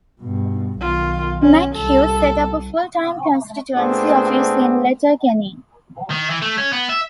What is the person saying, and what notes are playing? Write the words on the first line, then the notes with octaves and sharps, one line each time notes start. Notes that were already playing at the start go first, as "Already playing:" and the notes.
McHugh set up a full-time constituency office in Letterkenny.
G2 B2
B1 D#3 F4
C#4
C2 A4
A#2 A3 B3 C4 D4 G#4
D#3
E3
A3
C#4
B3
E5